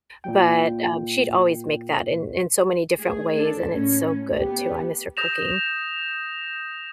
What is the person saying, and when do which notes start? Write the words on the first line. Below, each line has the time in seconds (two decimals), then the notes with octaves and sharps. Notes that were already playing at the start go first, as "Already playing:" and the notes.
but, um, she'd always make that in in so many different ways, and it's so good too, I miss her cooking.
0.24 A#2 G5
2.96 A3 G#4
3.37 D4 A4
3.67 A2 C#4
4.39 B3 G4
5.17 D#6 G6 A#6 E7 F7